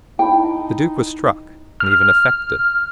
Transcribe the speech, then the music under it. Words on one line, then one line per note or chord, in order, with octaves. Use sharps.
The Duke was struck, and even affected.
D#4 E4 G5 A5 B5
F6